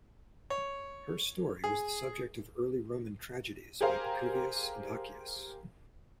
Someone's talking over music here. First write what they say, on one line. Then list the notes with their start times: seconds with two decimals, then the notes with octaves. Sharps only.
Her story was the subject of early Roman tragedies by Pacuvius and Accius.
0.50 C#5
1.64 G#4
3.81 G4 G#4 A#4 C5 F5